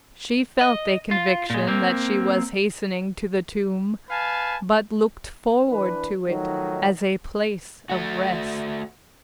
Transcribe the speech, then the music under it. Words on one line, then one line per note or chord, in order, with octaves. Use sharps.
She felt a conviction that she was hastening to the tomb, but looked forward to it as a place of rest.
D#5
F4
A#2 G#3
A#3 C4
B4 F5 G#5 A5
E3 D4 B4
D#3 F3 F#3 A3 D#4
A3 F#4